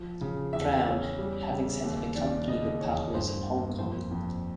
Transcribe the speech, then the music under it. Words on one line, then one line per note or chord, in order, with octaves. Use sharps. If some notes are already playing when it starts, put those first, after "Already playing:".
Brown, having set up a company with partners in Hong Kong.
Already playing: F3
C#3
E2 E5
C#4
G3
C#3
D#2
D#3 D5
C#3 D#5
E2 C#5
G2 C5
A#3
F2 C5
F2